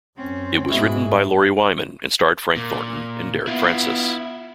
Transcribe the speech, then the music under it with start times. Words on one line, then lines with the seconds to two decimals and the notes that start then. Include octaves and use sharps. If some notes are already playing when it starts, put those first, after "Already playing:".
It was written by Lawrie Wyman and starred Frank Thornton and Derek Francis.
0.17 F#2 C4 C#4
0.69 G#2 B2 G#3 E4 C#6
2.57 A#2
3.47 B3 E4 F4